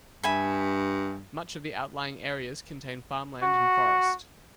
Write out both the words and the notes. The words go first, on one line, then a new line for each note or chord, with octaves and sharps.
Much of the outlying areas contain farmland and forest.
G2 E5 G#5 B5
F#4